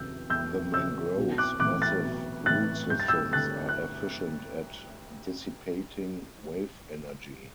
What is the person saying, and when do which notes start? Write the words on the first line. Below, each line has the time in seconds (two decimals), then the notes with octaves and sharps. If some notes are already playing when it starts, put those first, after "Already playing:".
The mangroves' massive root systems are efficient at dissipating wave energy.
Already playing: E2 C#3 F#3 E6 G6
0.30 E2 E6 G6
0.74 C#3 F#3 E6 G6
1.17 B1
1.38 D6 F#6
1.60 A2 E3 D6 F#6
1.82 F#6 A6
2.03 B1
2.46 A2 E3 F#6 A6
2.90 G2 G6
3.00 A6
3.08 E6 G6
3.33 D3 A3 F#6 A6
3.69 F#6